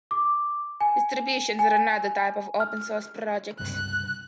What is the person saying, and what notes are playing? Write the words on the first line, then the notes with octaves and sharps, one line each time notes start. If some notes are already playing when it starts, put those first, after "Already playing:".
Distributions are another type of open-source project.
D6
G#5
G#5
F6
C#2 G2 C3 F#6